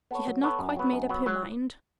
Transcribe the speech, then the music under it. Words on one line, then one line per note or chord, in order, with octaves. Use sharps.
She had not quite made up her mind.
B3 A4 C#5
F#3
B3 A4 C#5
F#2
F#3 B3
F#2
F#3 B3
F#3